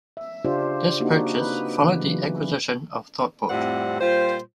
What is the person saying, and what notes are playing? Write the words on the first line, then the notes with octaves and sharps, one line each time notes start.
This purchase followed the acquisition of Thottbot.
E5
C#3 D4 F4 G4 C5 D5
A#3 C4 D4 D#4 F#4 G4
C4 B4
C#3 E3 B3
E3 F#3
F2 A2 G3 C4 D5 F#5
A#2 G3 F4 C5